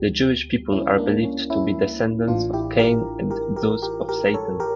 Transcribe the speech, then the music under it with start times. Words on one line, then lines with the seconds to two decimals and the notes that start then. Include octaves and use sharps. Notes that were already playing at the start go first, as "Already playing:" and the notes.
The Jewish people are believed to be descendants of Cain and thus of Satan.
Already playing: D2 G4
0.72 C#4 E4
0.98 A#3 D4
1.24 C#4
1.50 C#4 E4
2.27 A1 A2 E3 D4 F4
2.53 E4 G4
2.79 G4 A#4
3.31 G4 A#4
3.56 G4 A#4
3.82 G4 A#4
4.09 G4 A#4
4.34 A4 C#5
4.60 G4 A#4